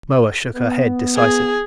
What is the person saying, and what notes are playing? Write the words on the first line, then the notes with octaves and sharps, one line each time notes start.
Moa shook her head decisively.
B3
G#4